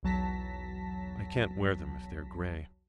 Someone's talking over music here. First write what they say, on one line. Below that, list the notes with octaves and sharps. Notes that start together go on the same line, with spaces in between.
I can't wear them if they are grey.
B1 E2 F#3 A5 A#6 B6